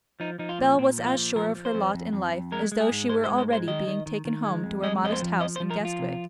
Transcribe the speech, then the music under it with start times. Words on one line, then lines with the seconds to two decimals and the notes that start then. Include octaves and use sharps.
Bell was as sure of her lot in life as though she were already being taken home to her modest house in Guestwick.
0.20 F3 D#4
0.39 F3 D#4
0.49 F4
0.59 A#2
0.78 A#2 C4
0.98 F3
1.07 F4
1.17 A#2
1.36 F3 A#4
1.55 F3
1.65 C5
1.75 F2
1.94 F2
2.13 F2
2.33 F2
2.52 G#3 A#4
2.72 G#3
2.80 G#4
2.91 G#2
3.09 G#3 C5
3.24 C5
3.29 G#2
3.38 C5
3.49 G#3 C5
3.67 D#3 D#5
3.87 D#3
4.06 D#3
4.25 D#3
4.45 G#3
4.64 F2
4.83 G#3 D#5
5.02 F2 D#5
5.12 C5
5.22 F3
5.41 F3 D#5
5.56 C5
5.60 F3
5.70 A#4
5.80 F3 F4
5.99 C3